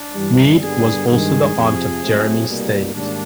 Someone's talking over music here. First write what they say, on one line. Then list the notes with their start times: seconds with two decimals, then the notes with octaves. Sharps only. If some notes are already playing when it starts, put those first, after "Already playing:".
Mead was also the aunt of Jeremy Steig.
Already playing: D4
0.13 G2 E3 G3
0.60 G2 D3 G3 B3 G#4
1.07 G2 D#3 G#3 G#4
1.54 F2 C3 F3
2.01 A2 F#3 A3 C4
2.47 C2 B2 G3 A#3
2.94 G#2 D#3 G3 A#3 D4